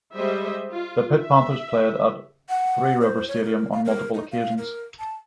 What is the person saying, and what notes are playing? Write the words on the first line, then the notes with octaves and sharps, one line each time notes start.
The Pitt Panthers played at Three Rivers Stadium on multiple occasions.
G3 G#3 C5 D#5 E5
F4
E5
F#5
C5
C#5
A#4
F5
A#4
D#4
F5
A#4
A5